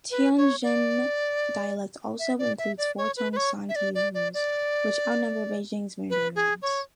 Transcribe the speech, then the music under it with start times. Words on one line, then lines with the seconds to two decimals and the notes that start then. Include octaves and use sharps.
Tianjin dialect also includes four tone sandhi rules, which outnumber Beijing Mandarin's ones.
0.11 B4
0.37 C#5
0.63 D5
2.19 E5
2.39 D5
2.58 E5
2.78 D5
2.98 C#5
3.17 B4
3.32 B4
3.37 C#5
3.69 E5
3.76 D5
3.95 D5
4.15 D5
4.34 D5
6.10 B4
6.35 G#4
6.62 C#5